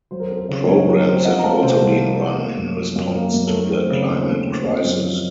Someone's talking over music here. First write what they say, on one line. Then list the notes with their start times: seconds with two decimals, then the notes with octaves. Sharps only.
Programmes have also been run in response to the climate crisis.
0.11 F#3 C5
0.20 A#4
0.28 C4 A4
0.37 A#4
0.49 C#3
0.68 F#2 A#4 C#5
0.87 F#3
1.06 C4
1.25 F3 D#5 F#5
1.39 A#5
1.44 A3 F5 A5
1.63 C3 A4 C5
1.82 C2 A#4
2.02 F3
2.20 A3
2.39 A#3
2.58 F#2
2.77 F3
2.96 F#2
3.14 A#3
3.34 F#2
3.47 A4
3.52 A3 A#4
3.71 C4
3.91 C#3
4.09 D#2 A4 C5
4.28 A3
4.47 C4
4.66 C4 C5 D#5
4.85 F#2
5.04 F3